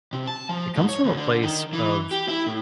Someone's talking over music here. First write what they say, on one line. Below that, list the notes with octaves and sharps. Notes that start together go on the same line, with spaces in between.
it comes from a place of
C3
A5
F3
G#2
C#5
D2
D3
D#3
E3
G4
E4
A2